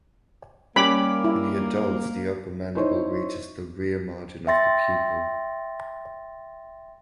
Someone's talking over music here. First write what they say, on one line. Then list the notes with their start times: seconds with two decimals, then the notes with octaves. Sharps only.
In the adults the upper mandible reaches the rear margin of the pupil.
0.76 G3 A#3 C#4 G4 B5 D6
1.24 E4
2.75 D#4 E4 C5 C#5
4.47 E5 G5 C6 A6 A#6